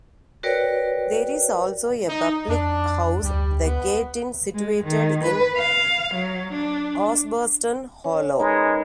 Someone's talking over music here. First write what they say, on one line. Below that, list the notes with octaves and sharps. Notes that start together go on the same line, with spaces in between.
There is also a public house, The Gate Inn, situated in Osbaston Hollow.
F#4 A#4 B4 C#5 D5 G5
D#4
F2 D4
D2 G3
B3 B4
G#3
D#3
B4
F5
F#3
D4
C#4
G#3 D#4 A#4 B4